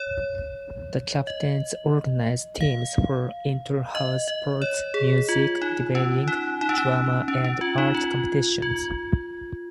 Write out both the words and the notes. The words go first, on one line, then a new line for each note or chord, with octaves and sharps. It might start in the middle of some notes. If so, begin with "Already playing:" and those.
The captains organise teams for inter-house sports, music, debating, drama and art competitions.
Already playing: C#5
D#5
F5
D#5
D#5
C#5
G#4
F4
D#4
C#4
D#4
D#4
C#4
D#4
C#4
C#4
F4
D#4
F4
F4